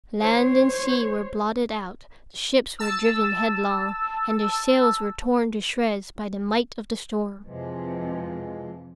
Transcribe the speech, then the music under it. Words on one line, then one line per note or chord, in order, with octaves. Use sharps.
Land and sea were blotted out, the ships were driven headlong, and their sails were torn to shreds by the might of the storm.
C5 C#5
A5 E6
F2 C3 E3 F3 G#3